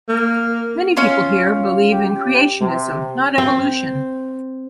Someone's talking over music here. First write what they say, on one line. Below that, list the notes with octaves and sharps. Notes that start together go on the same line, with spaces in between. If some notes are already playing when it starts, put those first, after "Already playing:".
Many people here believe in creationism, not evolution.
A#3
C#4 F4
G4
C3
C4